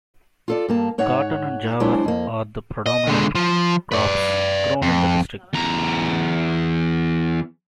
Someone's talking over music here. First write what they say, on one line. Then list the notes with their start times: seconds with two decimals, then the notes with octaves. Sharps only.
Cotton and Jawar are the predominant crops grown in the district.
0.48 F4 A4 D5
0.68 G2 A#3 A5
0.98 G#2 C#5 F#5
1.80 F#3 G#3 D4 E4 C5 G#5
2.05 F2 A#3
2.86 D#5
3.07 D3 G#3
3.35 F3
3.92 B4 D5
4.82 F2
5.53 E2 A#5